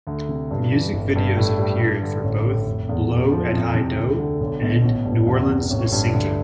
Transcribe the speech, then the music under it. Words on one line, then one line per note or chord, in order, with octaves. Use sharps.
Music videos appeared for both "Blow at High Dough" and "New Orleans is Sinking".
D2
C3
G2
E3
G1
G2
A2
G3
G2
D3
A1
A2
F1
E2
A2
F3
F2
C3
D2
D3
B1
B2
A1
G2
E2
C3
A1
G2
D2